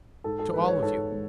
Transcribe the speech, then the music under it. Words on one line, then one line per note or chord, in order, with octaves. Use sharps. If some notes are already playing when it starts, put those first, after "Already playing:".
To all of you.
G#2 A4
A4
E3 G#3 B4
C#5
G#2 A4
G#3